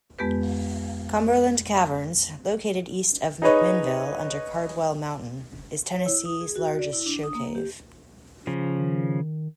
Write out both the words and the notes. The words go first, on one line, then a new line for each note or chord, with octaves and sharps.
Cumberland Caverns, located east of McMinnville under Cardwell Mountain, is Tennessee's largest show cave.
F2 G#3 B3 G4 B4
D#4 G#4 B4 C#5 D#5
C#5
E4
D#6
G#4
F#4
D5
E4
D4
D#6
A#3
G4
C#3 F3
D#3